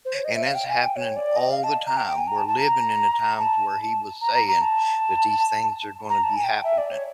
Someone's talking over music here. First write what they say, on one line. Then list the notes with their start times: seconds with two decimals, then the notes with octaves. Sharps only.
and that's happening all the time. We're living in the times where He was saying that these things are gonna be happening,
0.05 C5
0.15 C#5
0.25 D#5
0.35 E5
0.45 F5
0.55 G5
0.69 G#5
0.83 G5
0.96 C#5
1.16 D5
1.36 D#5
1.50 F5
1.63 A5
1.87 A#5
1.97 G5
2.07 G5
2.18 G#5
2.28 A#5
2.38 A5
2.48 A5
2.58 A#5
3.39 A5
4.21 A#5
4.34 A#5
4.48 A#5
4.61 A5
6.10 A#5
6.23 A5
6.37 G#5
6.44 G5
6.64 E5
6.78 D5
6.91 C#5